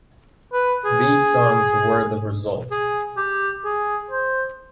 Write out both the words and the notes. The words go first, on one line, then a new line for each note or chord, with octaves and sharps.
These songs were the result.
B4
G#4
G#4
G4
G#4
C5